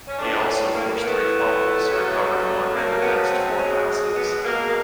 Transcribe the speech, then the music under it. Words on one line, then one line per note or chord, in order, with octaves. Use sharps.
He also forced three fumbles, recovered one and defensed four passes.
C#4
A2 E3 A3 D4
C#4
A#3
A2 E3 A3 B3
C#3 F#3 A3
C#3 F#3 A3 A#3
B3
C4
B2 G#3 C#4
B3
B2 G#3 A#3
A#3